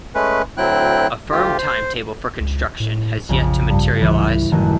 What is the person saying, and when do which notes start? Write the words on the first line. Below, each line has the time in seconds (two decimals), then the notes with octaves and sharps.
A firm timetable for construction has yet to materialize.
0.15 G#3 A3 C#4 B4
0.57 D2 F#3 C4 E4 G5 F#6
1.31 D2 F4 G4
1.58 C5
2.40 C#2
2.80 A2
3.29 A#1 F2 C#3
3.70 G2
4.02 C2 E3 C#7
4.52 A1 F#2 D#3